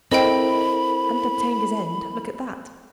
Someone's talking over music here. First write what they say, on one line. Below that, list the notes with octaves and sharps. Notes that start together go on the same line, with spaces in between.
"And obtained his end; look at that."
C4 E4 A4 A#4 D#5 G5 B5